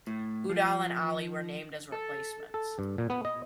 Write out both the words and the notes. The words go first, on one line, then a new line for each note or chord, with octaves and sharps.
Udal and Ali were named as replacements.
A2
F3
A4
A4
G2
A#2
B3
D#5